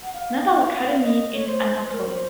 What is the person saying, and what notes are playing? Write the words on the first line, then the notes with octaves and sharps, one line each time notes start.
Naval Academy in Annapolis.
F#5
F5
F5
F5
F#5
F5
D#5
C#5
C5
C5
A#4
C5